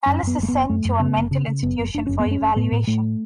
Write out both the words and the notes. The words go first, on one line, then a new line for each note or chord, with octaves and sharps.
Alice is sent to a mental institution for evaluation.
F#2 C#4
F#2 B3
F#1 A3
F#1 B3
F#2 A3
F#2
C#3 B3
F#1
C#3
C#3
F#1 B3
F#1
F#1 D4
F#1 C#4
B3
F#2
C#4
F#1
A2 B3
A2
A2 A3